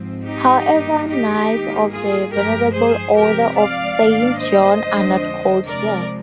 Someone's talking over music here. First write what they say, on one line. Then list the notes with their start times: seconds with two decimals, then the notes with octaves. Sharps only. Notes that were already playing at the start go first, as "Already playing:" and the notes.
However, Knights of the Venerable Order of Saint John are not called "Sir".
Already playing: G#2 F3 C4
0.24 D#4 G4
0.66 G2 D#3 A#3 D4
1.07 D#4 G4
1.49 G#2 D#3 A#3
1.91 F4 G#4
2.32 G2 F3 G#3 G4 A#4
2.74 G#4 C5
3.15 C3 F3 G#3 C4 G4 A#4
3.57 D5 F5
4.00 G#2 D#3 A#3 D4
4.40 C5 D#5
4.82 F2 D3 G#3 D4
5.65 C3 F3 G#3 A#4 D5